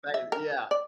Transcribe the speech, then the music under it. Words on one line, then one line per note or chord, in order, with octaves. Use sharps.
Right, yeah.
E5
A#4
D5